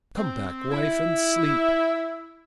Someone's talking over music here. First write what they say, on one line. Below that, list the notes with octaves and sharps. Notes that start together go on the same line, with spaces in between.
"Come back, wife, and sleep."
C4
E4